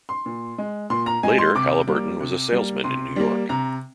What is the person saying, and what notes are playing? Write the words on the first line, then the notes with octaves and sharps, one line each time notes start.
Later, Halliburton was a salesman in New York.
C6
A#2
G#3
A#2 C6
A#5
G#3 G#5
C6
C3 D6
G3 A#3
C3
G3 A#3
C3 C6
G3 A#3
C3 A#5